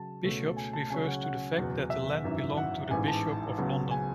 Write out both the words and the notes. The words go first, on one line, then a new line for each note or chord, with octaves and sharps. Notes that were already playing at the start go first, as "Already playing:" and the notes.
'Bishops' refers to the fact that the land belonged to the Bishop of London.
Already playing: C#3 F#3 A5
C#2 B2 A3 C#4
G#5
A5
C#2 C#3 F#3 C#4 G#5
F#5
F#5
F#1 E2 B2 F#3
E5
G#1 F#2 E3
F#5
A1 G#2 E3 G#5
A5
C#2 C#3 F#3 B3
G#5